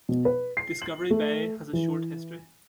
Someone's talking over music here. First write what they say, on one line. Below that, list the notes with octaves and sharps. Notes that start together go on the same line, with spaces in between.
Discovery Bay has a short history.
B2
B4
C7
F#7
A3
E3